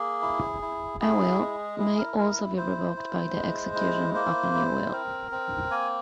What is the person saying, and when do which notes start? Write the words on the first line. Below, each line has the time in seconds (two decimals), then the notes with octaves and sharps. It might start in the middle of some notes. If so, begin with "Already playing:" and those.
A will may also be revoked by the execution of a new will.
Already playing: A#3 G#4
0.22 E4
0.62 E4
1.00 E4 G#4
1.39 G#3
1.79 E4 G#4
1.98 A#4
2.18 E4 A#4
2.57 E4 C5
2.96 E4
3.36 G#3
3.75 E4
4.14 A#3 C5
4.54 E4
4.92 C4 A#4
5.32 C4
5.71 A#3 G#5